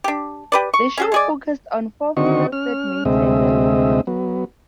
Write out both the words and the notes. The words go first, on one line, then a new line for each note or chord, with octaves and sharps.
The show focused on four female flatmates and their landlady.
D4 G4
G4 B4 D5
C#6
C#4 G#4 A4
G#3 G#4 D5
D3 D#3 C4 F#4 D#5 C#6
C#4 F6
D2 C3 G#3 C4 D#5 E5
F#3 B3